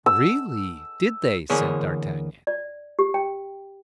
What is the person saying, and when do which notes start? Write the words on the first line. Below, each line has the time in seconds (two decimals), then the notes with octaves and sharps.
"Really, did they?" said D'Artagnan.
0.06 E6
1.50 D3 E3 A#3 G#4 C#5
2.47 D5
2.99 G4
3.14 G5